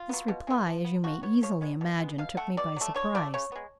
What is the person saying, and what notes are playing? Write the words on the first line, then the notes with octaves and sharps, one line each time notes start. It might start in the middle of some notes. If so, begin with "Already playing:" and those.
This reply, as you may easily imagine, took me by surprise.
Already playing: F4
F#3 B3
B2
G#3 B3
F3
B3
F3 F#4
B3 C#5
F3 C#5
G#3 B3
B2
G#3 B3
B2 F5
A3 F#5
B2 D5
F#3 A3
D3 C#5
F3 A3 D5
C#3 C#5
G#3 B3